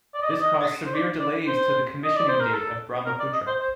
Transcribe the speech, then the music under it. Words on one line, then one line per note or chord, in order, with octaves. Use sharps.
This caused severe delays to the commissioning date of "Brahmaputra".
D5
D#5
D5
D#5
C5
D5
D5
C5
D#5
D5
C5
A#4
A4
A#4
D5
D#5
C5
C5